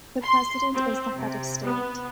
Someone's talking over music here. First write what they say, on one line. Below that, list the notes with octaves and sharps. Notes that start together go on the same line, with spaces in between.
The President is the head of state.
C6
C4
C3
B3